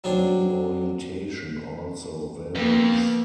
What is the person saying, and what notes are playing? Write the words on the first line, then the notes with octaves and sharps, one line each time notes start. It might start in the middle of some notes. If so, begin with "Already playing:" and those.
The orientation also varies.
F#3 C4 D4 G#4
F2 A#3 B3